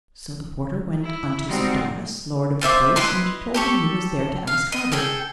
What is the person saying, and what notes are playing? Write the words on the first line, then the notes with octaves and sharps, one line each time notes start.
So the porter went unto Sir Darras, lord of the place, and told him who was there to ask harbour.
E4
G3 G#3 C4 D#4 F#4 F#5
F4 C5 E5 D6
E4 B4 D#5 C6
G4 A4 C#6
F5
D#5
G#4 A4 G5